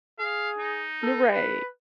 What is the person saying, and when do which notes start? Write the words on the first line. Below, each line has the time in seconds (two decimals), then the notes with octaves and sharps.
You're right.
0.19 G#4 F5
0.58 D#4
1.03 A4
1.33 B4